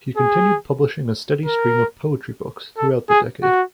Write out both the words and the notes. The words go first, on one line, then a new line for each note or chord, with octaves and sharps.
He continued publishing a steady stream of poetry books throughout the decade.
G#4
A#4
A4
G#4
F#4